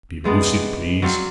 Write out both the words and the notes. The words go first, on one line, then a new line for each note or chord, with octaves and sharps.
"Be lucid, please."
C3 G#3 B3 D5
F#3 C4 D5 F5